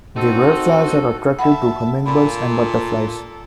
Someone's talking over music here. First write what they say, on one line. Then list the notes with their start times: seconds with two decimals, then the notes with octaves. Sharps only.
The red flowers are attractive to hummingbirds and butterflies.
0.17 C4 D#4 F#4 A4
1.39 E5 F#5 A5 B5
2.06 A#2 A4 B5